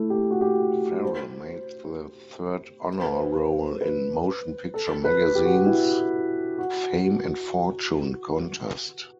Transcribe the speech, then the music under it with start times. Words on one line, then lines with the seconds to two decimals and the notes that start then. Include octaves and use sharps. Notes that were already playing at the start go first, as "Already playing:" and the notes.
Farrell made the third honor roll in "Motion Picture Magazine's" "Fame and Fortune Contest".
Already playing: A3 E4
0.10 G4
0.30 F#4
0.41 G4
1.03 C5
2.96 C5
3.04 B4
3.12 C5
3.81 B4
4.74 A4
5.04 B4
5.35 G4
5.45 F#4
5.54 G4
5.66 E4
6.59 F#4